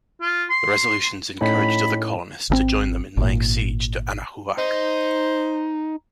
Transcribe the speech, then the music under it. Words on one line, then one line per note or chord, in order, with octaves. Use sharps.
The resolutions encouraged other colonists to join them in laying siege to Anahuac.
F4
C6
A2 C#4 D#4 B5
G#1 C#3 C4
G#1 A#2
D#4 C5